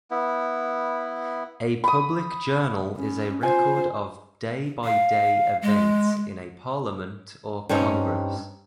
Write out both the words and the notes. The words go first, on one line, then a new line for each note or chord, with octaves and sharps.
A public journal is a record of day-by-day events in a parliament or congress.
B3 E4
B5 D#6
C#4
F4 C5 G#5
F5
G#3
G2 C4 C#4 D#4